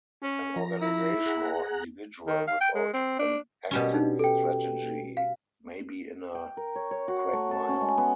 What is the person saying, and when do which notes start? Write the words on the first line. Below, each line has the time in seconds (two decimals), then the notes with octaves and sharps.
An organisation or individual without an exit strategy may be in a quagmire.
0.23 C#4
0.56 F3 A#5
0.81 E4
1.26 G#4 F#5 A#5
2.27 D#3
2.47 F5
2.60 G5
2.75 G#3
2.93 C4
3.19 D4
3.71 B2 G3 C#4
3.93 D4 D#4
4.19 A4 G5
5.17 F5
6.35 G5
6.57 A#4
6.75 C#5
6.91 C#5
7.08 F#4
7.33 A3
7.51 A5
7.69 C#4
7.81 G#3
7.98 B3